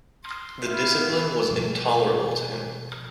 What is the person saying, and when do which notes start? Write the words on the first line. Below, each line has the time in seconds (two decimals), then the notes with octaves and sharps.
The discipline was intolerable to him.
0.25 C6
0.66 B3 E4 F5
1.51 B2 F3 G3